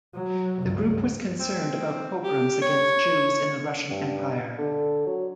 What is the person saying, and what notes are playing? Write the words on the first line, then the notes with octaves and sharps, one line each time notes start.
The group was concerned about pogroms against Jews in the Russian Empire.
F#3
C#2 G2
C4
G4
C#5
G2
D3
F#3